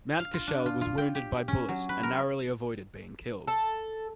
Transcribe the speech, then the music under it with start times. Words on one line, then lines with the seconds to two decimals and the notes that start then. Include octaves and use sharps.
Mountcashel was wounded by bullet and narrowly avoided being killed.
0.20 F5
0.34 F4
0.47 D4
0.66 F4
0.81 F4
0.98 G5
1.15 G4
1.48 C#4
1.69 F#3
1.89 B4
2.03 A#4
3.48 A4